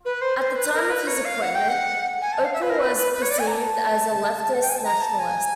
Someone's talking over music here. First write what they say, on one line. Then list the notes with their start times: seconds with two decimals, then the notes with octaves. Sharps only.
At the time of his appointment, Ople was perceived as a "leftist Nationalist".
0.05 B4
0.21 C5
0.39 C5
0.55 B4
0.74 A#4
0.90 B4
1.07 C#5
1.25 F5
1.42 F#5
1.55 G5
1.68 F#5
2.21 G#5
2.33 A5
2.44 F5
2.53 E5
2.62 B4
2.70 A#4
2.79 B4
2.96 B4
3.13 B4
3.22 C#5
3.30 D5
3.39 G#5
3.47 A#5
3.52 A5
4.54 F#5
4.62 G5
4.69 G#5
4.76 A5
4.84 A#5
5.01 A5
5.19 G#5